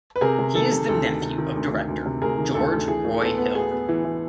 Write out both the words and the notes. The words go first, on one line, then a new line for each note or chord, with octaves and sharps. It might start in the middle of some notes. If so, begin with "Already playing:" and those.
He is the nephew of director George Roy Hill.
B4
C3 G#4 A#4
C3
D#3 A4
C3
D2 A4
D#3
C3
D#3
D2
D2
D2
C3
D2 G#4 A#4
D#3
D2 A4
D2
E3 G#4
A2
B3 A4
B3
B3 G#4
B3
E3
E3